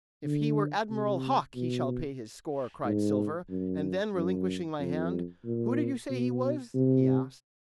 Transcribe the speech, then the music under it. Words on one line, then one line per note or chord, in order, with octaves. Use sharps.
"If he were Admiral Hawke he shall pay his score," cried Silver; and then, relinquishing my hand, "Who did you say he was?" he asked.
D3
C3
B2
G#2
F#2
F#2
F2
A#2
B2
C3